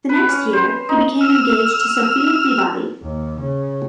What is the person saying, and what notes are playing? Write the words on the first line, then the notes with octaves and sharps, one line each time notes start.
The next year, he became engaged to Sophia Peabody.
B4
C#4
C5
D#4
E6 F6
D#2
C#3